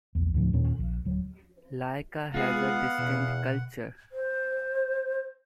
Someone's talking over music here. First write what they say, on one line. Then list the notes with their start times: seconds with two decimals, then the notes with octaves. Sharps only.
Lika has a distinct culture.
0.15 A#1 E2
0.34 D2 A2 F3
0.53 D#2 A#2 C#4
0.79 A#1
1.05 D1 F#3
2.34 G#3 B3 F4 G#4 F5 F#5
2.98 E2 B2
4.12 C5